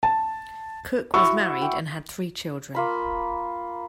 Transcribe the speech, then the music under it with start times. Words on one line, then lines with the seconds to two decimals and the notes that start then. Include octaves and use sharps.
Cook was married and had three children.
0.03 A5
1.14 E4 F#4 C#6 E6
1.62 G5 D6
2.75 A#3 F4 B5